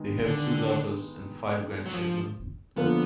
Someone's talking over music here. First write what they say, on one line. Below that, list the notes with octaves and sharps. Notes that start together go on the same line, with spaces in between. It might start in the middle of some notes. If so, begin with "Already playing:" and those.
They have two daughters and five grandchildren.
Already playing: D#3 G#3 B3 D#4 G#4
D3
F#3
F3
D3 F3 A#3 B3 F4 A#4